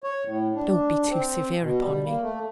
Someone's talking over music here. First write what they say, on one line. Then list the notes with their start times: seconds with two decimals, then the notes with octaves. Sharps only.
Don't be too severe upon me.
0.04 C#5
0.25 A2
0.55 D4
1.10 C4
1.62 B2
1.80 G3
2.05 A#3
2.22 A3